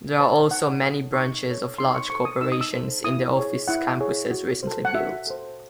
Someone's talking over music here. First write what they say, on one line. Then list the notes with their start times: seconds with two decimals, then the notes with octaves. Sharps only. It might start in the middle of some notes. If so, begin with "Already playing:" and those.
There are also many branches of large corporations in the office campuses recently built.
0.19 C5 A5
0.51 D#4 F#5
0.83 A4 C#5 D#6
1.14 D#4 C#6
1.46 A4
1.51 C#5
1.78 D#4 C6
1.94 C#6
2.09 A4 C5 C#6
2.25 D#6
2.41 D#4 E6
2.52 D#6
2.61 E6
2.73 A4 C5
3.04 E4 D#6
3.36 G#4 C#5
3.68 E4 F#5
4.00 G#4 C#5
4.31 F#4
4.63 A4 C5
4.85 F#5
4.95 F#4 E5
5.27 A4 C5